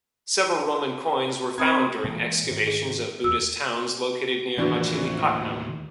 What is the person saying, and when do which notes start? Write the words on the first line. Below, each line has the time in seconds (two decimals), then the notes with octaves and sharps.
Several Roman coins were found during excavations of Buddhist towns located near Machilipatnam.
1.58 C4 B5 D#6 G#6
2.04 A#2 E3 G#3
2.51 G#2 D#3
2.67 G#4
3.24 D1 E2 E6
4.58 A#1 D#2 A2 E3 D4 F#4